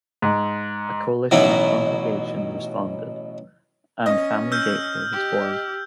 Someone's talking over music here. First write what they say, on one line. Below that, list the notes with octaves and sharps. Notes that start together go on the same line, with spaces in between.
A coalition of congregations responded, and Family Gateway was born.
G#2
A1 B2 F#3 D#4 E4
C#4 D#5
E6 F6 G6
G4